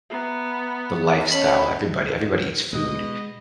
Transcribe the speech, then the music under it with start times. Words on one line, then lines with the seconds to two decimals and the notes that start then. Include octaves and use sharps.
the lifestyle everybody everybody eats food,
0.10 B3 E5 A#5
1.32 C#4 D#5 A5 B5
2.73 B2 G#3 D#5